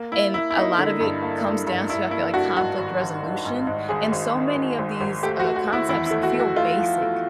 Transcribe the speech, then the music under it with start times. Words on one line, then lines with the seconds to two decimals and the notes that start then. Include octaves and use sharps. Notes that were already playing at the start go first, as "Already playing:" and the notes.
and a lot of it comes down to, I feel like conflict resolution, and so many of these, uh, concepts feel basic
Already playing: A#3
0.12 A#3 E4
0.34 A#3 E4
0.50 E4
0.57 A#3 D#4
0.78 D3
1.00 G2
1.22 A#3
1.45 G2
1.67 G2
1.89 G2 E4
2.11 A#3 E4
2.33 G2 F#4
2.56 G#2 F#4
2.78 G#1
3.01 G#1
3.23 D#3
3.45 G#2
3.67 G#2
3.89 G#1 G#4
4.12 G#1
4.34 D#3
4.56 D#3
4.79 G#1
5.01 G#1
5.23 A3 G4
5.40 F#4
5.44 A3
5.56 F#4
5.66 A3
5.73 E4
5.89 E2 E4
6.06 E4
6.11 A3
6.23 F#4
6.34 A3
6.40 F#4
6.56 A3 F4
6.79 F3
7.01 A3